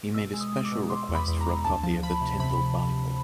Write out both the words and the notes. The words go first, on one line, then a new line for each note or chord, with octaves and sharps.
He made a special request for a copy of the Tyndale Bible.
B2 E6
G#3
D#6
G#3
D6
B2
B2 C6
E2
B5
E2
A#5
E2
D2 A5
F3 A5
F3 B5
C3
C3 B5